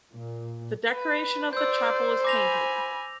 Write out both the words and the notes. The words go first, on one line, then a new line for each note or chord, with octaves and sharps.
The decoration of the chapel is painted.
A#2
B4
C5 D5 E6 G6
G#5 B5 D6 A#6 F7